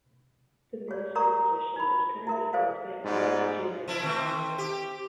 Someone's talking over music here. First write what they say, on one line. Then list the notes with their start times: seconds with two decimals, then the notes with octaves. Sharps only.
The minister position is currently held by Annick Girardin.
0.88 G#4 C#5 D5
1.15 A#4 C#5 D5 A#5 C#6 D#6
1.76 D#4 B5
2.27 E4 A#4 E5
2.53 G#4 A4 C5 D5 D#5 F5
3.04 G#2 B3 F4 D5
3.88 F3 E4
4.02 D#3 A3 C4
4.58 G4